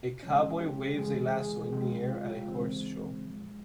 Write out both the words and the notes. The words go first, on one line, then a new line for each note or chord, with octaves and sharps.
A cowboy waves a lasso in the air at a horse show.
A#2 F3 G#3 C#4
G4
C3 E3 G#3 G#4
G#4
C3 F3 G#3 G4
F4
G4
C#3 E3 G#3 C4
A#2 F3 G#3